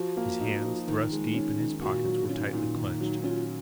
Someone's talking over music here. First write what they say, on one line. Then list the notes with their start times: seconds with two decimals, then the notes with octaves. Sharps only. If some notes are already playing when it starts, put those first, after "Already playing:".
His hands, thrust deep in his pockets, were tightly clenched.
Already playing: F3 F#4
0.17 A#3
0.41 D#4
0.65 F3
0.88 D#3 D#4
1.12 G#3
1.34 C#4
1.59 D#3
1.81 A#2 F#4
2.05 F#3
2.29 C#4 F4
2.37 D#4
2.53 A#2 D#4
2.76 D#3
3.01 F#3
3.23 C#4 F4